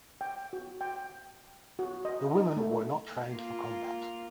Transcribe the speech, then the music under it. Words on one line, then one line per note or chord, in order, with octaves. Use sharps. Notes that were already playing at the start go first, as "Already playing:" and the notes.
The women were not trained for combat.
G5
F#4
G5
F#4
D#5
D#4
A3
A#3 F4